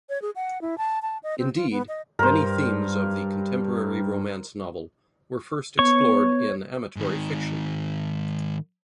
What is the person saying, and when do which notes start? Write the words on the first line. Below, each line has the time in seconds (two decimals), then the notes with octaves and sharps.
Indeed, many themes of the contemporary romance novel were first explored in amatory fiction.
0.09 C#5
0.22 G#4
0.36 F#5
0.61 E4
0.78 A5
1.02 A5
1.23 D#5
1.38 C4
1.55 F4
1.71 B3
1.88 D#5
2.19 G2 A#4 C5
5.79 B3 C#5 C#6
6.96 G#2 D#3